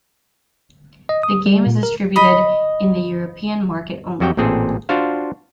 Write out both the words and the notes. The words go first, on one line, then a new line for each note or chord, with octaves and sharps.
The game is distributed in the European market only.
D#5
D#6
G3
A#2
A#4
D#5 B5
F2 F#3 F#4 G4 G5
A1 A#2 C4 G#4 A4
D4 F4 F#4 C5 F5